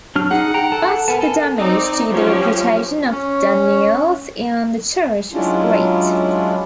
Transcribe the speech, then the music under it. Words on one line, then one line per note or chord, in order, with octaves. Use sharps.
But the damage to the reputation of Danneels and the Church was great.
F#3 D4 F6
D#4 G#4 F#5
G5 A#5
A4 A5
B3 A#4 G#5 A5
A4
C4 D#4 D5
F3 F#3 C#4 G4 C#5
C#4 C#5
F#3 G#3 C#4 D4 E4 F4